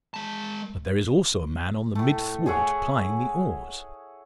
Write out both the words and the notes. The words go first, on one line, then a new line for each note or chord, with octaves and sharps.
But there is also a man on the mid thwart plying the oars.
G#3 A5
A2 A3
G#4 C#5 E5 F#5